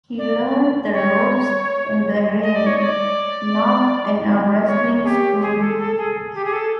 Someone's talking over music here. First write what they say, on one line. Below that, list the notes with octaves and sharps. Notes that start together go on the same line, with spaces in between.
He learned the ropes in the ring, not in a wrestling school.
D5
C#5
D#5
D5
C#5
D#5
D5
C#5
G#4
G4
G#4
A4
A4
G#4
G4
G#4
A4